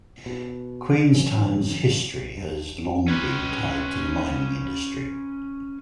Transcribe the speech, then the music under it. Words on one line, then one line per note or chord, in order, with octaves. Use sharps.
Queenstown's history has long been tied to the mining industry.
B2
C#3 E3 F#3 C#4
G2
C#4 B4